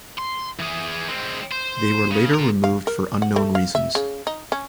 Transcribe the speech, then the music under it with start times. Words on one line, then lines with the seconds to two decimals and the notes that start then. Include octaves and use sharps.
They were later removed for unknown reasons.
0.19 C6
0.59 E3 G#4
1.08 G#3 C4
1.52 C5
2.11 C#3
2.34 F4 A#4
2.64 F5
2.87 A#4
3.22 F#5
3.36 A3
3.55 F5
3.75 E5
3.95 C#3
4.27 D#4
4.52 C#4